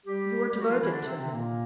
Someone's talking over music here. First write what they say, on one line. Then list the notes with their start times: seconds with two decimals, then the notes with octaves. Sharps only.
"You are devoted to him."
0.06 G3 G4
0.48 G3 G4
0.59 F#3 F#4
0.69 F3 F4
0.80 E3 E4
0.91 D3 D4
1.04 C3 C4
1.18 C3 C4
1.32 A#2 A#3